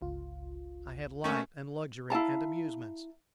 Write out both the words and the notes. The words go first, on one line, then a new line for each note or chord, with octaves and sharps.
I had light and luxury and amusements.
G1 C#2 F4
A3 A#3 C#4
E4 F5 A5 A#5